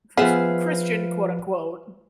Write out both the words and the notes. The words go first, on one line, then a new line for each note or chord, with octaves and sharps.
Chris Christian, quote unquote.
F3 B3 G#4 B4 E5 F5